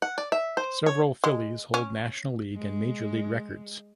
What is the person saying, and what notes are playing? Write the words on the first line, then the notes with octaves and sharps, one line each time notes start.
Several Phillies hold National League and major league records.
F#5
D5
E5
C5
C#5
G#3
C#4
G#3